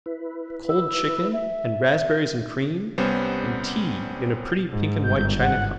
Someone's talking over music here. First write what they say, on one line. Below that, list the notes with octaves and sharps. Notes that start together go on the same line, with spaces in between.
Cold chicken, and raspberries and cream, and tea in a pretty pink-and-white china cup.
E4 B4
E6
E5
C2 G3 B3 C#4 C5
G#2
G1 G6
G#1 F#5